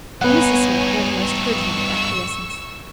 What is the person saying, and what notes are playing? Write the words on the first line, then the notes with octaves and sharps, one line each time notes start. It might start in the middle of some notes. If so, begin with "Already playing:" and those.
Mrs Smith gave a most good-humoured acquiescence.
G2 B3 D#4 C#5 F#5 G#5
C#6 E6